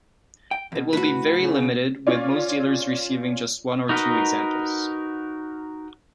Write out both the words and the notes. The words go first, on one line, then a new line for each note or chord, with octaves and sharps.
It will be very limited, with most dealers receiving just one or two examples.
G5
E2 B2
A2 F#4 B4
C#3
C#4 F4 C#5 D5
D#4 F#4 A#4 B4 D#5